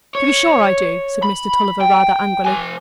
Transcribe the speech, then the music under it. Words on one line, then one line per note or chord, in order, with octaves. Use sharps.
"To be sure I do," said Mr. Tulliver, rather angrily.
C#5
B5
G5
F3 G#5